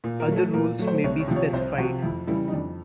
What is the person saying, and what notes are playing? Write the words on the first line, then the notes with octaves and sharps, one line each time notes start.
Other rules may be specified.
A#2
A#4
F#3 A3
A4
A#2 A#4
F#3 A3
C5
C2 C#5
C#5
C3 F3
C#5
C2 C5
C3 F3 F#4
F2 E4
C#3 E3 G3 E4
D#4
F2 D4